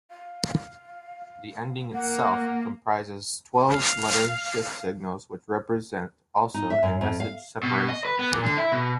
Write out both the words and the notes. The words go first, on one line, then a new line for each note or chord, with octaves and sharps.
The Ending itself comprises twelve letter shift signals which represent also a Message-Separation Signal.
F5
A#3 F#5
F5
D#4
E5
F#2
F2
F5
B2
D#5
B4
B3
A#2
D3
E4
B2